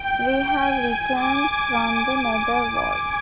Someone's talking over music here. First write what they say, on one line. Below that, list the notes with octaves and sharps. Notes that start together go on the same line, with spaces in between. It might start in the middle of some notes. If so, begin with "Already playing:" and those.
We've returned from the netherworld...
Already playing: G5
G#5
D6